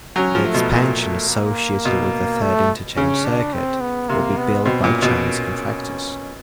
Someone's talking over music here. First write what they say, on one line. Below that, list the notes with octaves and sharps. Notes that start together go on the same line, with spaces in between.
The expansion associated with the Third Interchange Circuit will be built by Chinese contractors.
F#3 C#4
F3
A3
B2
A#2 A3
A3
A#3
B2
A3
C#3 C#4
D4
C4
B3
C3 A#3
B3
B2 C4
A#2
C#4
B2